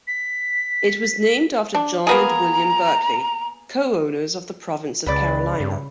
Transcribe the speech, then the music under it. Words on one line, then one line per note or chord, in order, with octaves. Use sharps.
It was named after John and William Berkeley, co-owners of the Province of Carolina.
B6
D4
A#3 B3 G#4 A#5
C#2 C#3 B4 D5 B5
G2